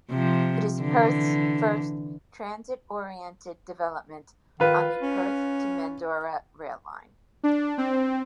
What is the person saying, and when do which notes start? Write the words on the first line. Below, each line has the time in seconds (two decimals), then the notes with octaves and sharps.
It is Perth's first transit-oriented development on the Perth to Mandurah rail line.
0.10 C3 F3
0.80 D3 E3
4.60 D#3 F4 B4
5.01 C#4
7.43 D4
7.78 C4